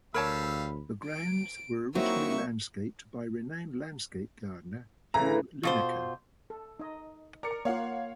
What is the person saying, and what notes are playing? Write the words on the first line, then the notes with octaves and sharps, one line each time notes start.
The grounds were originally landscaped by renowned landscape gardener Hugh Linaker.
D2 G3 A#4 C#5 F5 A5 B5 E6
D7
F#3 A#3 C4 D#4 E4 F#4 E5 C#6
A2 C#3 E3 A#5
B2 F4 C5
A4
D#4 D#5
A#4 D5 C#7
A#3 F4 C#5 F5 F#5